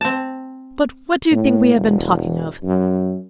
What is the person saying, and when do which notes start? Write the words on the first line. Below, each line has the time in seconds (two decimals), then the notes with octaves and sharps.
But what do you think we have been talking of?
0.01 C4 A5
1.31 A2
1.75 E1
2.64 F#2